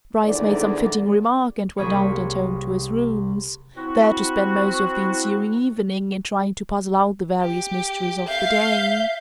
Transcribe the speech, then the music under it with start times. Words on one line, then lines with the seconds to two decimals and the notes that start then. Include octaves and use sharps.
Bryce made some fitting remark and went out and home to his rooms--there to spend most of the ensuing evening in trying to puzzle out the various mysteries of the day.
0.24 E2 G#2 D3 D#3 B3 D5
1.77 C2 A#3 G#4 C#5 B5 C#7
3.77 C4 E4 F#4
7.41 G4
8.28 E5 F5 G6